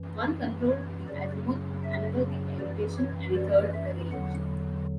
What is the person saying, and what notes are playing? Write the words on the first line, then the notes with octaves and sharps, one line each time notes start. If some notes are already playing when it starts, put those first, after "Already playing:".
One controlled the azimuth, another the elevation, and the third the range.
Already playing: F#2 E3
C#5
F#2 C#3 F#3 D5
E5
F#2 E3 D5
C#5
D5
E5
E2 D3 F#3 F#5